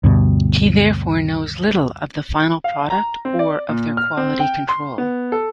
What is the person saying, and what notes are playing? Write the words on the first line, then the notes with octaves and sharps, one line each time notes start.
He therefore knows little of the final product, or of their quality control.
D2 G2 B2
F5
A#5
C4
D5
A#2
F6
C4
G5
C6
B3
A4